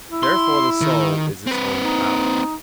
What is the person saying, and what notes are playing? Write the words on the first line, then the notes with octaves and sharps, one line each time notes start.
Therefore the soul is its own power.
E4
C6
D#3
C4 B4
D#4